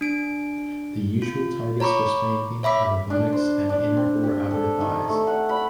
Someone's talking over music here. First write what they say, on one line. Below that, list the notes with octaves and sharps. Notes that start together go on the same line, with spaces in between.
The usual targets for spanking are the buttocks and inner or outer thighs.
D4 D7
F4
C#5 A#5 B5 C#6 D6
C#5 E5 B5 D6 B6
D4
C5
D4
C4
G4
A4
D#3
A3
F#5
B5